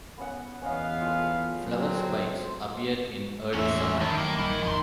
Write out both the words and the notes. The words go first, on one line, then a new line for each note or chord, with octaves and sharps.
Flower spikes appear in early summer.
B3 C#4 F#5
E2 B3 C#4 D#5 F5
F4 A4
F#3 C4
A3 C5
E2 A2 C#4 E5
A2 D#3
F#2 A#3
A#1 E3 G3
G#1 F2 F3 B3 C6